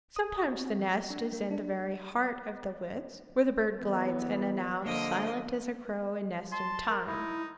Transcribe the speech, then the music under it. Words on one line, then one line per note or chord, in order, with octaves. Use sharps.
Sometimes the nest is in the very heart of the woods, where the bird glides in and out, silent as a crow in nesting time.
D#6
C4
F3
D4
A#3
D4
E3 B3
D3 F3 A#3 D#5
A5 C6
A#4
D#4 E4